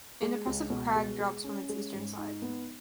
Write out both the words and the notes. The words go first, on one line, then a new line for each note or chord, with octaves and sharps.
An impressive crag drops from its eastern side.
G#3
C#2
B2
G#3
G#3
C#4
G#3
G#2
D#4
B3